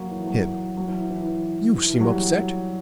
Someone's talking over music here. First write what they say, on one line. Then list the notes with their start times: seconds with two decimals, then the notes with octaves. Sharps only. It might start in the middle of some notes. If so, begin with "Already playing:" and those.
HIM: You seem upset.
Already playing: F#3 A#3
0.11 E3
0.27 F#3
0.77 F#3
0.87 E3
1.10 E3
1.76 E3
1.95 G3
2.01 F#3